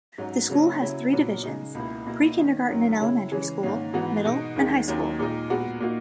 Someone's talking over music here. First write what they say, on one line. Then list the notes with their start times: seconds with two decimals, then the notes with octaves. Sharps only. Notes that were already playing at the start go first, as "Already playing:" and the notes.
The school has three divisions: pre-kindergarten and elementary school, middle, and high school.
0.18 G#2 F#3 C#4
0.50 C#3 F#3 A#3 C#4 F#4
0.82 C#3 F#3 C#4 E4
1.13 A#2 F#3 B3
1.43 C#3 G#3 D#4
1.75 C#2 B2 A#3 E4
2.06 B2 A#3 E4
2.38 D#3 A#3 D#4
2.69 F#2 D#3 F#3
3.00 C#3 G#3 C#4 E4
3.32 C#3 E3 G#3 C#4
3.63 G#2 D#3 A#3 C#4
3.93 G#2 E3 B3 F#4
4.25 B2 G#3 D#4
4.56 D#2 D#3 G#3
4.88 D#2 D#3 F#3 C#4
5.19 A#2 G#3 D#4
5.50 A#2 G#3 B3 F#4
5.80 A#2 A#3 D#4 F#4